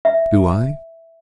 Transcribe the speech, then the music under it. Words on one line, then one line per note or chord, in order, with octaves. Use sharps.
"Do I?"
E5